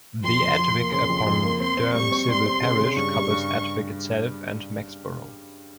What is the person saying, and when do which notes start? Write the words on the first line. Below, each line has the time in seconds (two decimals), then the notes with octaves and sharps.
The Adwick upon Dearne civil parish covers Adwick itself and Mexborough.
0.24 F2 C6
0.41 F2
0.58 F3
0.75 A#3
0.92 C#3 C6
1.09 F2
1.26 F2
1.43 A#3
1.60 C4 C6
1.77 C4
1.94 G3 C#6
2.12 C4
2.28 G3 C6
2.45 C4
2.63 C#3
2.79 C#3
2.96 G2 C#6
3.14 G3
3.31 G2